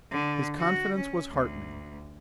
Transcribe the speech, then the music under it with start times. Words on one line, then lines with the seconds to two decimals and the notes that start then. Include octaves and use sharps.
His confidence was heartening.
0.11 D3
0.57 F#4
0.96 C#4
1.31 D2